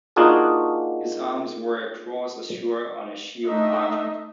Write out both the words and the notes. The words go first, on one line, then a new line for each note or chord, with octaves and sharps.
His arms were a cross azure on a shield argent.
A#3 D4 D#4 F4 F#4 G#4
A3 D4 D#4 D#5 E5